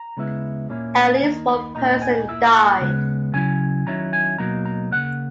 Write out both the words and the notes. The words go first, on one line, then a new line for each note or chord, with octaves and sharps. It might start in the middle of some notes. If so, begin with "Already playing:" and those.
At least one person died.
Already playing: A#5
C#3 G#3 B3 E4
A#2 A#3 C#4 E4
G#5
D#3 A#3 D#4 A#5
B5
A#2 A#3 D#4 A#5
G#5
A#2 A#3 E4 E5
F#5
C#3 G#3 B3
C#3 F#3 C#4 E4 G#5
D#3 F#3 C#4 E4 A#5
G#5
B2 F#3 A#3 D#4 A#5
A#5
C#3 E3 A#3 F#5